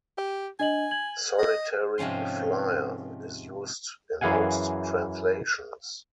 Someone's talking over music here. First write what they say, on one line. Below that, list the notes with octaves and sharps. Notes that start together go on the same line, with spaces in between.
"Solitary flier" is used in most translations.
G4
D4 D#5 G#5 F#7
G#6 F#7
D#5
G#2 C3 F3 C#4 C6
F#2 E3 G#4 F5 F#5 G#5